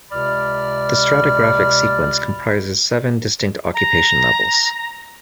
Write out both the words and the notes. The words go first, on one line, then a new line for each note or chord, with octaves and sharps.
The stratigraphic sequence comprises seven distinct occupation levels.
C#2 C3 D5 B5 F6
A#5